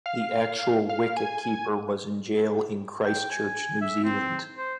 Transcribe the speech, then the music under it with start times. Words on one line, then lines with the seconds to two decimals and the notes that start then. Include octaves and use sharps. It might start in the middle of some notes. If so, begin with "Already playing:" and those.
The actual wicket-keeper was in Jail in Christchurch, New Zealand.
0.06 F5
0.89 F5
1.17 G#5
3.06 G5
3.31 G#5
3.82 E5
4.05 C4
4.58 C5